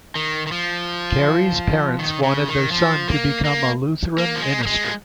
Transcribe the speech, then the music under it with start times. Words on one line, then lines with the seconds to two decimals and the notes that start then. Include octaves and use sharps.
Carey's parents wanted their son to become a Lutheran minister.
0.15 D#3
0.47 D#3
0.52 F3
1.99 D#3
2.23 C#3
2.48 D#3
2.72 F3
3.08 A#3
3.45 A#3
4.18 A#3
4.36 F3
4.42 G#3
4.63 A#3
4.67 G#3
4.84 F3